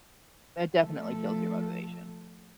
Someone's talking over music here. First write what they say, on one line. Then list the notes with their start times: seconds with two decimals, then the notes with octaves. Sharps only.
That definitely kills your motivation.
0.80 F3 A3 A4